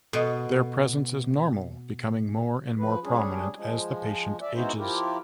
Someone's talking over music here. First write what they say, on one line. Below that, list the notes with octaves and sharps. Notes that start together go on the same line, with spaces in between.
Their presence is normal, becoming more and more prominent as the patient ages.
B2 A4 D#5
F3 B4
G3 C#4 D4 G#4
F3 G#3
D5 E5
G#3 B3 D#4 E4 F#4 C5
F3 E4 F4 G4 A#4